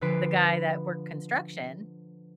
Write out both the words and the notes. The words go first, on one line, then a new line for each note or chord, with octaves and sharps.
the guy that worked construction,
D3 F3 B4 B6 C7 D7